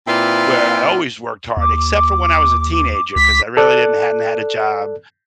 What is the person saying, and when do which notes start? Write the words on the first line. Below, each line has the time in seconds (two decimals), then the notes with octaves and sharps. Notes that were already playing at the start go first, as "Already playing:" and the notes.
where I always worked hard, except for when I was a teenager 'cause I really didn't hadn't had a job
0.08 A#2 C4 E4 F4 B4 D5
1.57 D#2 D6
3.16 C#2 B6
3.57 A4 D5 F#6